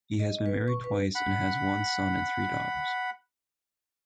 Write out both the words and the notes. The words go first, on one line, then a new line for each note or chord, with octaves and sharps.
He has been married twice, and has one son and three daughters.
D#5
B4
C#6
B4
F#5 B5